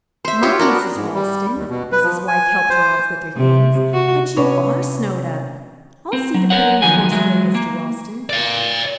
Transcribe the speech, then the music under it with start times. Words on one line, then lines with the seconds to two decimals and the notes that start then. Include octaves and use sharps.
My, Mrs. Ralston," as his wife helped her off with her things, "but you are snowed up! I'll see to putting your horse away, Mr. Ralston.
0.25 C5 E5
0.43 F4 G4 C#5
0.59 B3 D4 F#4 A#4
0.95 G#2
1.14 G3
1.56 D#2
1.69 B2
1.92 B4
2.03 F3
2.28 G#5
2.69 C5
3.36 C3
3.93 F#4
4.36 C3 B3 C#4 D4 C#5
6.13 C4
6.34 F#3
6.50 A#4 C#5 F#5
6.82 D#3 F3 F#3 G#5
7.12 E3 F#3 G#3
7.55 A#3
8.30 D5 F5